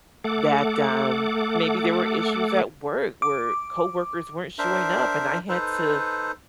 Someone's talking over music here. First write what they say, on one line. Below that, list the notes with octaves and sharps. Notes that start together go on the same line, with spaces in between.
that, um Maybe there were issues at work where coworkers weren't showing up and I had to
A3 A4 F#5 D6
D6
D4 A#4 C5 E5
D#4 A4 B4 C5